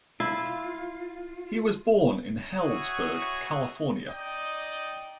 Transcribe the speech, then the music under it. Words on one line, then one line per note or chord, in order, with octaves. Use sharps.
He was born in Healdsburg, California.
E4 F4
E4 F#4 G#4 C#5
D#4 D5 D#5 G5